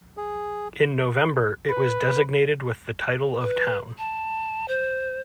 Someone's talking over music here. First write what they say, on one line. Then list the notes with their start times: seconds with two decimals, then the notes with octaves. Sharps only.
In November it was designated with the title of town.
0.17 G#4
1.70 B4
3.41 B4
3.98 A5
4.68 C5